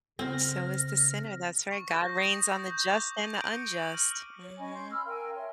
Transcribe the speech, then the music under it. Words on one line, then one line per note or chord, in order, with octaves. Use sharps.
So is the sinner, that's right, God reigns on the just and the unjust, mhm.
C#3 C4 F6 A#6
C#6
G6
A#6
D#6
G6
D6
D#7
D7
C#7
F#7
F6
C#5
C#4 D#5 G#5 B5
C6 G6
B5 E6 F6
A#4 F5 G5 G#5
C#5 E5 C6